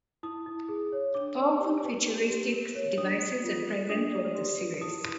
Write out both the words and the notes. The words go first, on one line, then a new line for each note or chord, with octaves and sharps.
Powerful, futuristic devices are present throughout the series.
E4 D#6
E4
G#4
C#5
D4 D6
D5
G4
B4
G4
G4
A#4
C#5
D4 D#6
C5
F4
A4
D4 D#6
D5
G4
B4
E4 D#6